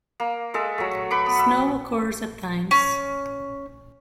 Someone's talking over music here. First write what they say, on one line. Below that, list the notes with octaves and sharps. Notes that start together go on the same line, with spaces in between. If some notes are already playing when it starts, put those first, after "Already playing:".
Snow occurs at times.
A#3
G#3 A4 E5
F#3 A3
B4 B5 C#6 D6
B3
E5
C#4